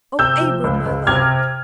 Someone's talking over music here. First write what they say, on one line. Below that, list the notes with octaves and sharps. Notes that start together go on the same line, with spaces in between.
Oh, Abram, my love!
C3 E6 G6
F3
C#2
C#2
C3 F6 G#6